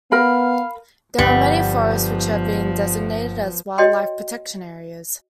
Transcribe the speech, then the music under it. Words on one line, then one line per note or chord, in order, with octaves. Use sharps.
There are many forests which have been designated as wildlife protection areas.
B3 A#4 F5 B5
G1 F3 G3 B3 C#6
F#4 C#5 D#5 G5 A5 C6